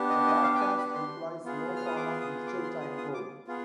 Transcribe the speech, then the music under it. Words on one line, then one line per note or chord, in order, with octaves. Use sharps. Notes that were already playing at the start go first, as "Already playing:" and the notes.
The broadcast employs no form of digital time code.
Already playing: B3 D4 G4
D#5
D#5
F5
G5
G#5
B5
C6
B3 F4 G#4
F6
D#6
D6
D#6
D6
C6
D#6
D#6
D6
B3 F4 G#4